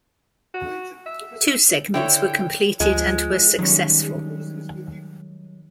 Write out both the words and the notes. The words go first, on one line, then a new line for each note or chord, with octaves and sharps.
Two segments were completed and were successful.
F#4
E5
D3 E4 C#5 G5
D2 F3 G#3
D#3 F#3 G3 C#4